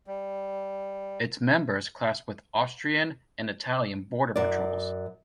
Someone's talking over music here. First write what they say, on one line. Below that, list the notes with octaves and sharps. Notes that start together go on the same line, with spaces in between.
Its members clashed with Austrian and Italian border patrols.
G3
F#2 D5